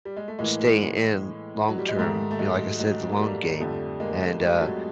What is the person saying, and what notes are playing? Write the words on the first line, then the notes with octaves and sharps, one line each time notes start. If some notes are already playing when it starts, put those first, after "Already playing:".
stay in long term. You know, like I said, it's a long game, and, uh,
G3
G#3
A3
A2 E3 G#3 A#3
F#3
G3
G#3
G#2 D#3 G3 A3
A3
F#3 G#3
F#3 G#3
A#3
G3 A3
F2 D3 G3 A3
G#3 A#3
G3 A3
A3
F#3 G#3